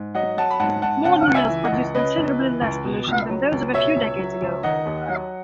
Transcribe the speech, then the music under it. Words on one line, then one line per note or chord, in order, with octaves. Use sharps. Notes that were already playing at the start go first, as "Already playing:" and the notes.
Modern mills produce considerably less pollution than those of a few decades ago.
Already playing: G#2
F#3 D#5 F#5
F#3 F#5 A5
B5
G#2 F#5 A5
G#2 F#5 A5
C#3 F#5 A5
C#2
E5 G#5
E3
D#5 F#5
C#2
C#3 B4 D#5
C#2
E3
C#2
B2
C#2
F#3
C#2
B2 C#5 E5
C#2
F#3
C#2
D#3 D#5 F#5
D#2
F#3